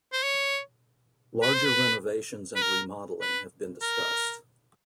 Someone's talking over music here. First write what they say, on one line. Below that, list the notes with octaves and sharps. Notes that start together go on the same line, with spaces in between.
Larger renovations and remodeling have been discussed.
C5
C#5
B4
C5
B4
B4
A#4
B4
A#4